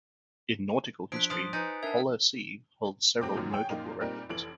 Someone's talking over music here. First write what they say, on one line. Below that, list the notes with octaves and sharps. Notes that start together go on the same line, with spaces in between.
In nautical history, "Polar Sea" holds several notable records.
F3 D4 F#6 B6 D7
F3 F4 D#6
D#4 B4 C5 G#5 A6 C#7
D4 A#4 E5 A5 G#6
A2 F#3 C4 C5 D6
F#2 A#2 D#3 F#3
G#4 C#5 G5
F#2 A#2 F3 A#3 D#4 F4
A#2 G3 C4 D#4 A#4
F1 E3 D7 F#7